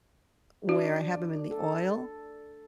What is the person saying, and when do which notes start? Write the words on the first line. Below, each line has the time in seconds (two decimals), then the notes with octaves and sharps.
where I have them in the oil,
0.69 D4 F#4
1.51 A4